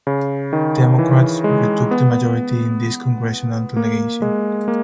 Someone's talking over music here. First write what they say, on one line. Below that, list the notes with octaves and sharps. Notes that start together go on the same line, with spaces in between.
Democrats retook the majority in this congressional delegation.
C#3
D#3
E3
G#3
B3
A#3
G#3
A#3